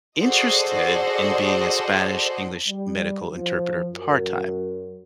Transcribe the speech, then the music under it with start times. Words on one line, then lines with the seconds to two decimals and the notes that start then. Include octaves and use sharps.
interested in being a Spanish-English medical interpreter part time,
0.20 F#4 G#4 A4 C5 D5 D#5
2.68 G3
3.31 F3
3.90 F#2